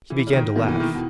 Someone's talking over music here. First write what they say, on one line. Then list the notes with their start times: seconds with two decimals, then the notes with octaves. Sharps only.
He began to laugh.
0.10 E3
0.27 C#3
0.33 D#3
0.55 B2 D#3 A#3 E4
0.68 E3
0.80 D#3
0.95 B2